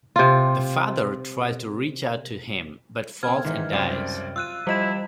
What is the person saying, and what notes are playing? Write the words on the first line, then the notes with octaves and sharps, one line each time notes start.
The father tries to reach out to him, but falls and dies.
C3 F4
B3 C4 F6 G#6
G#2 D#3 E3
C#2 F#2 C3 G3 C5 D5
F4 E6 F#6 D#7
F3 G3 E4 F4 G4 D#5 E7